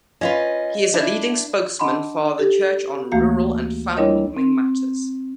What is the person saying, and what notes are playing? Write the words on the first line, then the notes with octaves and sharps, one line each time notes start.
He is a leading spokesman for the church on rural and farming matters.
C#4 F4 B4 D#5
D4 E4
D4 D#5 F#5 A5 B5 C6
G4 A4
D2 E3 A3 A#3 F#4 F5
G3 D4 E4 A#4 C#5 D#5
C4